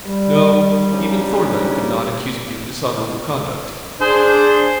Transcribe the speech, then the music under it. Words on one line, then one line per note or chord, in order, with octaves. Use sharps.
No; even Thorndyke could not accuse me of dishonourable conduct.
G3
G#2 C#3 G3 D4 D#4 G4
D4 G#4 C5